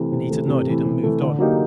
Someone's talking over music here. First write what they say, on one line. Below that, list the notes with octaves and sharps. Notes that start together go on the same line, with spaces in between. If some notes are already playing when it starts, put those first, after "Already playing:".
Anita nodded and moved on.
Already playing: C3 E3 A3
C3
E3 A3
C3
E3 A3
C3
E3 A3
D3
F#3 A#3 D#4 G4